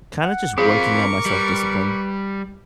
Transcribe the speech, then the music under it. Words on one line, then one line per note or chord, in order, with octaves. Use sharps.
kinda just working on my self-discipline.
F#5
C4 F4 G#4 A#4 B5 C#6 D6
G3 B4